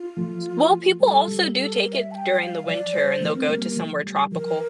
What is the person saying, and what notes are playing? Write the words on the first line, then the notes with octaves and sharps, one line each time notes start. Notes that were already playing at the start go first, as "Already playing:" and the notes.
Well, people also do take it during the winter, and they'll go to somewhere tropical.
Already playing: F4
F3 A3
G3 A4
G3
A4
A#4
E5
A5
G5
G5
F5
F3 D5
G3 C5
F3 A3 A#4 C5
A3 C4
G3 A#3
G3 A#3
F3 A3
G3
F3 A#4